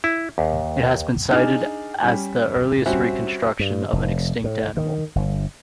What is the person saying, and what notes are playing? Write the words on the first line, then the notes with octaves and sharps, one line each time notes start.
It has been cited as the earliest reconstruction of an extinct animal.
E4
D#2
D4 D#4 G#4 F6
G3 C#4
G3 C4 C#4 F#4 E5
G2
F1
A2
D#3
G1